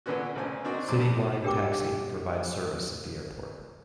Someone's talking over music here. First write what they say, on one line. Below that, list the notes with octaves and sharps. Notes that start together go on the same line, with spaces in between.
City Wide Taxi provides service at the airport.
A#2 D3 B3 C#4 F#4
A1 C#3 C5 G#5
A#3 C4 D4 D#4 F#4
F2 A#2 C4 D6
D4 G4 A#4 G5 C#6 D6